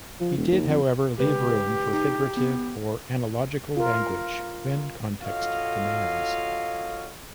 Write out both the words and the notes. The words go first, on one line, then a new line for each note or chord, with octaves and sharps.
He did, however, leave room for figurative or analogical language when context demands.
F3
E1
D#2
F2
C#3 G#3 G4 B4
D#4
B3
F4 A#4
F4 F#4 A4 C#5 D#5 F5